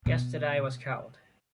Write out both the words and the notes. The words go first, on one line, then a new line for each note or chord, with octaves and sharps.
Yesterday was cold.
B2